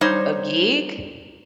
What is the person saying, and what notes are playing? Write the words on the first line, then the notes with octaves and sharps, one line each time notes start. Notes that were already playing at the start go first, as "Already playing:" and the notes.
a gig?
G3 D#4 C5 C#5